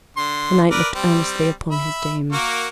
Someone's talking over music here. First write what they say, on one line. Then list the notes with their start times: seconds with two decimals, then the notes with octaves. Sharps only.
The knight looked earnestly upon his dame.
0.17 D3 C6
0.71 A#4 B4 D5
0.95 G3 C4
1.71 E5 B5
2.32 A#3 F#4 A#4